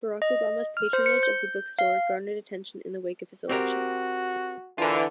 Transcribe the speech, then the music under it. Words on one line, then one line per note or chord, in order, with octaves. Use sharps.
Barack Obama's patronage of the bookstore garnered attention in the wake of his election.
D#5
F6
C5
C#7
G6
F5
C4 F#4 G4 A#4
D3 E3 F4 A#4